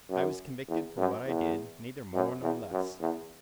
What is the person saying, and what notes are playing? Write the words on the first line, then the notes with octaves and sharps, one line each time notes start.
I was convicted for what I did, neither more nor less.
F#2
E2
F#2
E2
F#2
E2
F#2
E2